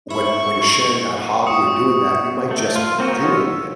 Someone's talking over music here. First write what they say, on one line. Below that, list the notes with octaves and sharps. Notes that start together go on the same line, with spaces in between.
when when you're sharing that hobby or doing that, you might just be doing it,
E4 C#6
C#6 D#6 C#7
A3
F4
A#3 C4 F#4
B3 F4 C#5 D#5
E6